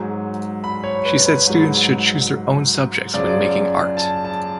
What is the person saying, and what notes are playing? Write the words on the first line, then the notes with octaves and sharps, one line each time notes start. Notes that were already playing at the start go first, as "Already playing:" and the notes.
She said students should choose their own subjects when making art.
Already playing: G#2 F#3 G#5
B5
C#5
B4
B4
G#2 F#3
F#2 C#3 F3 D5
A5
A5